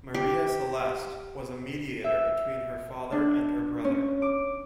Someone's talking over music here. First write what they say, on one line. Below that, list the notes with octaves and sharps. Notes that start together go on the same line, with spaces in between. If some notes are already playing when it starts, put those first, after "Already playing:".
Maria Celeste was a mediator between her father and her brother.
G4
E5
D4
C#4
D6